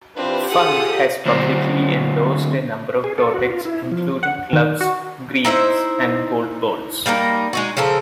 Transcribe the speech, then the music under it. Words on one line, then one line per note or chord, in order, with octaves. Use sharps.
Funk has publicly endorsed a number of products including clubs, greens, and golf balls.
E3 C4 D4 F4 G4 B4
F4 G#4 A4 F#5 D#6
D2 C4
G#4
A4
F#4
F4
E4
F3
F#5
D#3
F#4
D#4 E4 C5 E5
G3 A#3 D#4 A#4
G#3 D#4 F#4
C#3 F3 A4 A#4